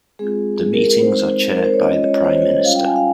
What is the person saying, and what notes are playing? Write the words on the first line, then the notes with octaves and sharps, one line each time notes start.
The meetings are chaired by the Prime Minister.
G#3 C4 F4 G#4
G#4
A#4
A#4
G#3 C4 D#4 C5
A#4
C5
C#5
G#3 C#4 F4 D#5
D#5
C#5
C#5
C5
C#5
D#5
G3 C#4 F4 F5
G5
G#5
F5